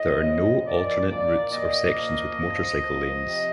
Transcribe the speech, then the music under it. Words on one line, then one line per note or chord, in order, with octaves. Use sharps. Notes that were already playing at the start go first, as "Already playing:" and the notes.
There are no alternate routes or sections with motorcycle lanes.
Already playing: A2 D#5
F3
A#2 D5
A#2 D5
A#3 D#5
F3
F3
F3
C3